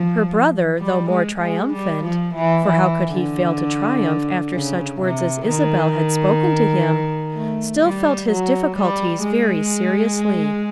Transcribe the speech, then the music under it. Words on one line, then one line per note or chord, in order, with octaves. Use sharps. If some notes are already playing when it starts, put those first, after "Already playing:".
Her brother, though more triumphant,--for how could he fail to triumph after such words as Isabel had spoken to him?--still felt his difficulties very seriously.
Already playing: F3
G3
G#3
G#3
G3
F3
E3
E3
D3
C#3
C3
D#3
A3
G3
F#3
G3
G#3